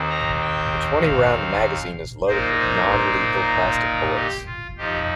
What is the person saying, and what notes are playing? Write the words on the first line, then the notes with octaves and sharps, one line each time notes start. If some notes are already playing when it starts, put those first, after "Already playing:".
The twenty-round magazine is loaded with non-lethal plastic bullets.
Already playing: D#2 D#3 C4
A#5
G5
F5
A#2 A#3 D#4 C5
C5
C5
G4
F4
F2 F3 D#4 G4